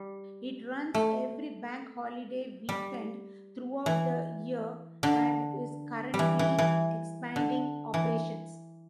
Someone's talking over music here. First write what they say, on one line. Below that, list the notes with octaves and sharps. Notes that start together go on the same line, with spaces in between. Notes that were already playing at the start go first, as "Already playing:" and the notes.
It runs every bank holiday weekend throughout the year and is currently expanding operations.
Already playing: G3
A3
G3
E3
D3
G3
E3
E3
E3
D3
E3